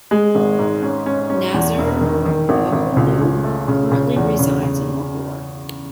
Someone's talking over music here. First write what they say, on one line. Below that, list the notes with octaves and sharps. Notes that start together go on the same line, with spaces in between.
Nasir Bholu currently resides in Lahore.
G#3
G#1
G#2
C#4
C#4
C#4
E2
E1
D#3
D#3
G#1
G#1
C#2
C#2
A3
C#3
C#3
E2
C#3
C#3